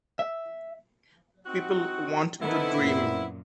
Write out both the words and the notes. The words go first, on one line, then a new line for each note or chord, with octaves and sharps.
People want to dream.
E5
C4 D#4 F#4
D#3 B3 C4 E4 A4 B4
F#2 A#2